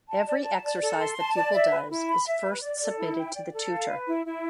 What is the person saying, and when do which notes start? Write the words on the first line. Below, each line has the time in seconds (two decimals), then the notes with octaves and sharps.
Every exercise the pupil does is first submitted to the tutor.
0.08 A5
0.27 D5
0.44 A5
0.62 D5
0.81 A4
0.99 C6
1.17 A5
1.35 D5
1.53 E5
1.71 B4
1.89 E4
2.08 B5
2.26 E5
2.43 B4
2.62 D5
2.80 A4
2.97 E4
3.16 G5
3.34 D5
3.52 A4
3.70 F5
3.89 B4
4.07 E4
4.25 E4